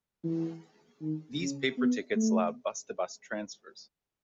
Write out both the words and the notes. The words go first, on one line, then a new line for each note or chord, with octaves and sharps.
These paper tickets allowed bus to bus transfers.
E3
D#3
C#3
B3
A3